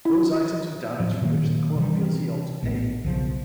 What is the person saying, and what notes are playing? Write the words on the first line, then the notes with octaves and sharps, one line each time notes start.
Those items of damage for which the court feels he ought to pay.
E4
A2 F3 F#3
A#2 D#3 F#3 A#3
C3 E3 G3
A#1 A2 B3
B1 F2 C#3 F3